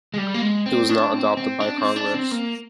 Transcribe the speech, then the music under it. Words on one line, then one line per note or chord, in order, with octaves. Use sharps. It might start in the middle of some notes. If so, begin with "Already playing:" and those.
It was not adopted by Congress.
G#3
G3
A#3
G#3
C4
D4
C4
C4
D4
C4
D4
C4
A#3